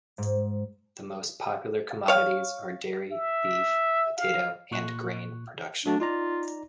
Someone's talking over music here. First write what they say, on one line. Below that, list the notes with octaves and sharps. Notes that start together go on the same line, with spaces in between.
The most popular commodities are dairy, beef, potato, and grain production.
G#2
C#5 F5
E5
F5
A#2 C#6 F#6
F#3 A3 D4 F#4
D#4 F4 D5 A#5